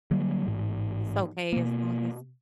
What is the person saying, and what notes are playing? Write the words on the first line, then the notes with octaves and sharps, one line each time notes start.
it's okay as long as
D3 F#3 G3 A#3
A1 G#2
B2 A#3